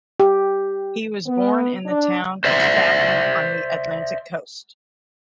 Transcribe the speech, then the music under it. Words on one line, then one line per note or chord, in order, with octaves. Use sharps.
He was born in the town of Safi on the Atlantic coast.
G4
B3
D4
C5 D5 E5